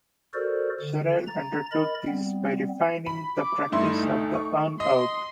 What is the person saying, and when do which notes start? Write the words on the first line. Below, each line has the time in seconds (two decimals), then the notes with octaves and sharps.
Sorrell undertook this by refining the practice of the 'earn-out'.
0.33 F#4 A4 A#4 C5 D5
0.80 D3
1.27 A#5 A6
1.71 A#4 D#5 B5 A6
2.08 G3 B3 C4
3.06 B5
3.38 D6
3.72 G2 A3 D#4 E4 C6
4.03 D2
4.34 C#6
4.80 D#5 C6